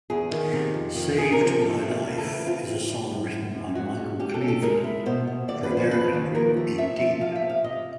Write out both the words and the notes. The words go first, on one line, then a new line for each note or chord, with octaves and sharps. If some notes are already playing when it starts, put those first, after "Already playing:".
Saved My Life is a song written by Michael Cleveland for American group Indeep.
E2 G#4
D#3
C3
F2
D#3
C3 G#4
A#4
F3
A#4
C3 A4
A3
C#3
A4
E3
C4 F4
C4
G3
F#2
F#2
F#2
G#2 F#4
G#3
C#4 G4
A4
C#4
A4
G#3 A#4
E4
B2 C5
B2
D#2 D5
B4
F3
C5
C#3 B4
D#2
F3 A#4
A3
C3 E5
F3
C3 F5
E5
C3
F5
C3 D#5